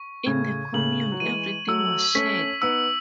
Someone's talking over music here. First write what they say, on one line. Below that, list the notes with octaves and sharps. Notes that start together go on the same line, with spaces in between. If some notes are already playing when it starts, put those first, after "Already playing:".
In the commune, everything was shared.
Already playing: C#6
A2 C#3 G#6
A2 C#3 F#7
F#3
E3 G#3 D#7
F#3 A3 E6
A3 C#4 B6
B3 D#4 E6